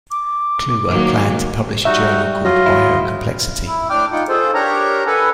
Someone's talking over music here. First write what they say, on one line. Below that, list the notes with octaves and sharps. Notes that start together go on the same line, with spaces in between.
Kluwer planned to publish a journal called "Biocomplexity".
D6
D#3 F#3 A#3
G3 D#4 F#4 E5
F#3 F4 D#5
D#2 E4
E4
A2 D4 G5 D6 F6
D#4 F4 F#5 G5
C4 F4 G#4 A4 C5
D4 G4 A#4 C#5 A#5
A4 B4 F#5 G#5